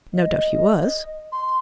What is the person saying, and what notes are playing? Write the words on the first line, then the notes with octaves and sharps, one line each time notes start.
"No doubt he was."
D#5
C6